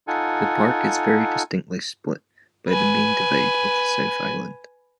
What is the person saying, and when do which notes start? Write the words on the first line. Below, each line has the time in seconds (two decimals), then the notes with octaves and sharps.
The park is very distinctly split by the main divide of the South Island.
0.08 D#4 F4 A4 F#5 G#5
2.68 B4 G#5